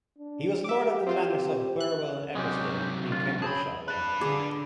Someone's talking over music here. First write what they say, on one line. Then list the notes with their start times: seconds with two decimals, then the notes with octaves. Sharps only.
He was Lord of the Manors of Burwell and Eversden, in Cambridgeshire.
0.19 D4
0.64 G4 E5 D6
1.07 C4 F4 C5
1.81 F#6
2.35 C3 F#3 G#3 C#4 G4
3.11 D2 F4
3.42 C#3 C4 G#4 A5 B5
3.88 D4 B4 F#6 A6
4.21 D3 G#4 D6